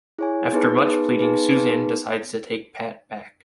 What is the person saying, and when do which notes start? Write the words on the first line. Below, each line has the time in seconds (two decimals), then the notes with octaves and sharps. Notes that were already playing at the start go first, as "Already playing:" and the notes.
After much pleading, Susan decides to take Pat back.
0.19 E4 G#4 C#5 G#5
0.53 B3 D#4 G#4 B4
0.86 B3 D#4 G#4 B4
1.19 B3 D#4 G#4 B4
1.53 B3 D#4 G#4 B4